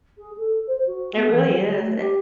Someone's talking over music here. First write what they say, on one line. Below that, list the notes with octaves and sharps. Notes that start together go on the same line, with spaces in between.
It really is, de
G#4
A4
C5
F#4
B3
E3
F#3
D3
A3
G4